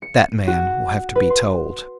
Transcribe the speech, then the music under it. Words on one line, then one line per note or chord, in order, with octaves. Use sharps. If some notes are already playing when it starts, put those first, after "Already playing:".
That man will have to be told!
C#7
F#4
B4
C6